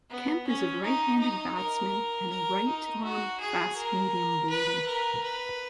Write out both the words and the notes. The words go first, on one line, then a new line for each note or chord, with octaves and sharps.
Kemp is a right-handed batsman and a right-arm fast medium bowler.
B3
C#4
D#4
D#4
A#4
A#4
D#4
F#4
G#4
A#4
B4
A#4
B4